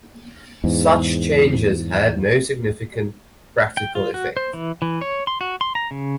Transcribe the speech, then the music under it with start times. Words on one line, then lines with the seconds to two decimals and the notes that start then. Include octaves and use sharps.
Such changes had no significant practical effect.
0.64 E2 G#2
3.77 G5
3.95 F4
4.14 F#4
4.37 C5
4.53 E3
4.82 E3
5.01 C#5
5.27 C6
5.41 F#4
5.61 C6
5.75 A#5
5.91 C#3